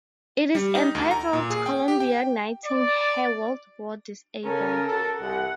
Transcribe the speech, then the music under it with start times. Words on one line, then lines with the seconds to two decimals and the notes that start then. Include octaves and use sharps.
It is entitled Columbia Knighting Her World War Disabled.
0.55 G3
0.75 D#4
0.95 D2
1.11 A#5
1.33 A#2
1.50 G#4
1.66 G5
1.88 G4
2.00 G5
2.66 D5
4.44 C#3 C#4 A4 A#4 G#5
4.87 F#4 A4 A#4
5.20 C2 F#5